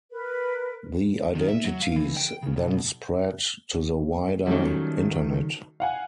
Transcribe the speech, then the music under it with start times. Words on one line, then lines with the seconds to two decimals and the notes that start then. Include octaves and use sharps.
The identities then spread to the wider Internet.
0.10 A#4 B4
1.35 D#3
1.48 E5
1.65 F#3
1.82 F5
1.96 E3
2.17 G5
2.43 C#3
2.57 B1
4.47 D#3 F#3 G3 A3 C#4
5.80 F5 F#5 G#5